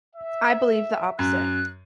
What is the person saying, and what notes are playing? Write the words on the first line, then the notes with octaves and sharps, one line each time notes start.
I believe the opposite.
E5
F#2 F#6